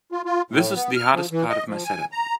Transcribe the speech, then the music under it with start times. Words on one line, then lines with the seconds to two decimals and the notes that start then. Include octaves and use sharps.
This is the hardest part of my setup.
0.12 F4
0.25 F4
0.51 A2
0.75 B3
0.96 F6
1.14 F3
1.31 E3
1.50 D#5
1.68 F3
1.84 G#5
2.12 A#5